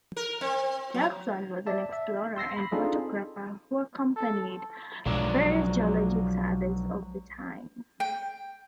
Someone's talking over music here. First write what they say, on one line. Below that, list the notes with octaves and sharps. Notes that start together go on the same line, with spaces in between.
Jackson was an explorer and photographer who accompanied various geologic surveys of the time.
A#4
C4
F#3
D5 E5 A5
E5
C6 E6 A#6 C7
B5
C4 D4 D#4 F4 G#4 A4
A4
B1 B2 F3 F#3 G#3 D4
G5